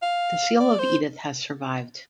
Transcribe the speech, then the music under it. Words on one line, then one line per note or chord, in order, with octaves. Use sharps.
The seal of Edith has survived.
F5
D5
C5